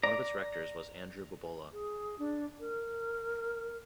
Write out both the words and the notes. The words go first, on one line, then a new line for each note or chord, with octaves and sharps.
One of its rectors was Andrew Bobola.
D5 A#5
G#4
D4
A#4